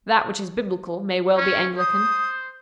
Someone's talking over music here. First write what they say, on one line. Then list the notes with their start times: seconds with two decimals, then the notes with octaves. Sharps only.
That which is biblical may well be Anglican.
1.37 C#4
1.78 C5 D#6